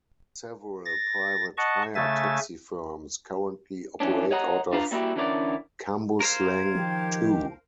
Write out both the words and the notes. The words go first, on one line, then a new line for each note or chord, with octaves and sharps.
Several private hire taxi firms currently operate out of Cambuslang too.
A6 A#6
D#5 F#5 A5 C#6
C#3 A3 E5 G#5 A6
F2 A#2 E3 C#4 D4
C#5 D#5 F#5 A#5
D4 F4 B4 F5 A#5
G3 A#3 E4 F#4 G4
D3 E3 C#4 E4 A#4 D5
A#4 C5 F5 G#6
D#3 F3 G4